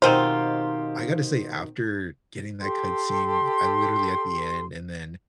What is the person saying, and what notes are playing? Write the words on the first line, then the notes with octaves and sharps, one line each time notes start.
I gotta say, after getting that cutscene, I literally at the end, and then
B2 D#3 C4 D#4 F4 G4 C5
G4 A4 C6